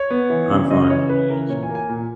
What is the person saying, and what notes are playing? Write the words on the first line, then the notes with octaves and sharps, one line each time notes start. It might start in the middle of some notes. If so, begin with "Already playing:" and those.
I’m fine.
Already playing: C#5
B3
E3
C#3
C#3 D#5
D#5
E3 C#5
C#3 B4
E3 A#4
A#2 C#5
G#5
A#3
G#5
A#2